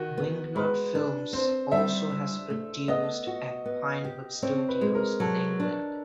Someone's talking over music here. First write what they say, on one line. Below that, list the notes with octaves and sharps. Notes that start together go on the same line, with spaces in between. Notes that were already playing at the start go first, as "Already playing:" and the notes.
WingNut films also has produced at Pinewood Studios in England.
Already playing: D#3 F#4
B3
G#3 B4
D4
C4 C5
G3 E5
D4
A3
B3 D#5
F#4
B3
G4
C4 C#5
B4
G#3
A#4
F#3 A4
D4